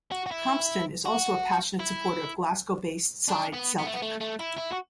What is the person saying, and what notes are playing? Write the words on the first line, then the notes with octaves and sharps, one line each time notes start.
Compston is also a passionate supporter of Glasgow based side Celtic.
F#4
F#4
E4
F#4
E4
D4
B3
B3
A3
B3
A3
A3
E4
E4
F#4